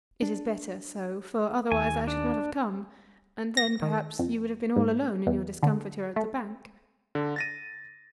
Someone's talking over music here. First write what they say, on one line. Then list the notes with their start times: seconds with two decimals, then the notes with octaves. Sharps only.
"It is better so, for otherwise I should not have come, and then, perhaps, you would have been all alone in your discomfiture at the bank."
0.22 D4
1.72 D#2 G#5
2.07 D4
3.57 A#6
3.82 D#3
4.19 F2
4.76 G#2
5.27 E2
5.63 D3
6.16 A3
7.15 D3
7.36 A6 A#6 D#7